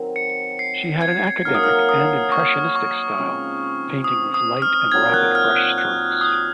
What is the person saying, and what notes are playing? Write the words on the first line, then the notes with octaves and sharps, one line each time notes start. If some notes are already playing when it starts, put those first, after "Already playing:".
She had an academic and impressionistic style, painting with light and rapid brushstrokes.
Already playing: D#3 F#3 C4
C#7
C7
G#6
F#3 A#3 D#4 F6
D#6
F6
D#6
C#6
C#6
C#3 F3 G#3 C4
D#6
D#6
F6
A#2 F#3 C4 D#4 G#6
F#6
F6
F#6
F#6
D#6